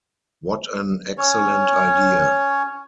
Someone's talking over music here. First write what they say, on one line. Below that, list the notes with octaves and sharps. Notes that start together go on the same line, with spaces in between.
What an excellent idea.
C#4 C#5